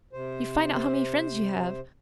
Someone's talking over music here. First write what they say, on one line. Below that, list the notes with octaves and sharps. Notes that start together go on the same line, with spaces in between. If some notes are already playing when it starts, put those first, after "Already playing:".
You find out how many friends you have.
C3 C5